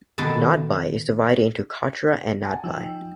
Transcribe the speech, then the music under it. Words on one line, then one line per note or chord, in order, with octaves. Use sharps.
Nadbai is divided into Katra and Nadbai.
B2 D#3 B3 A4 A5
F#5 G#5 A5
F3 D#4 G5 E6